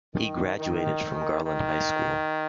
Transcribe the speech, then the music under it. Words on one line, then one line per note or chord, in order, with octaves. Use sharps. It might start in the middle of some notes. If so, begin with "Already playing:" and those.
He graduated from Garland High School.
D#3
D#3
D#3